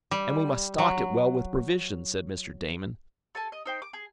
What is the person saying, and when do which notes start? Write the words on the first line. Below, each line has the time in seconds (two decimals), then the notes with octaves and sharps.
"And we must stock it well with provisions," said Mr. Damon.
0.11 G3
0.78 F#3
3.35 A4 G#5 A5
3.52 D#5
3.66 D#4 C5 G5
3.82 D6
3.93 G#4